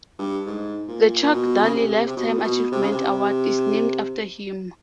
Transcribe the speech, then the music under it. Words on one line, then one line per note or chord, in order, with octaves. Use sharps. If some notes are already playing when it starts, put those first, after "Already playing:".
The Chuck Daly Lifetime Achievement Award is named after him.
G2
G#2
A#2
A#2
B2
C#3
C3
C3
B2
A#2
B2
C3
C#3
C3